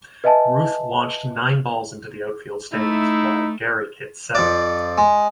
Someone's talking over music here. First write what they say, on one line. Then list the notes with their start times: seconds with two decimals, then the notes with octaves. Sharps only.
Ruth launched nine balls into the outfield stands, while Gehrig hit seven.
0.24 B4 D#5 E5 G#5 A5
2.73 A3 D#4 E4
4.35 F2 D5
4.98 G#3